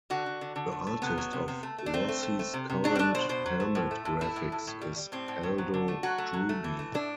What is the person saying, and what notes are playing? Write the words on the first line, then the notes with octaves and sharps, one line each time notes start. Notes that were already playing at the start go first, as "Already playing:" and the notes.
The artist of Rossi's current helmet graphics is Aldo Drudi.
D3 F#4
D3
D3
D3
A3
A3
C3 B3
F#3
C3
C3
A3
A3
D4
A3 C4
A3
A3
A3
C3
C3
F#3 D4
C4
A3 D4
B2 C5
B2 C5
F#3
A3
A2
A3
A2
A3 E4
A2
A2
A2
G3
G3
A2 C4
A2
A2
F#3
D3
A3
F#3 F#4
A3
F#3
A3
E3
A3
A2 D4